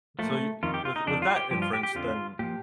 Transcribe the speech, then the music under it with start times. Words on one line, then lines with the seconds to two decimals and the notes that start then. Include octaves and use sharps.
so you with with that inference, then
0.19 A#2 F3 A3
0.63 F2 D#3 F4
0.74 G4
0.85 F4
0.96 D#4
1.07 F2 D#3 D4
1.22 F4
1.36 G4
1.51 G2 F3 G4
1.62 F4
1.73 G4
1.83 G4
1.95 F2 D3 F3 F4
2.39 A#2 F3 G4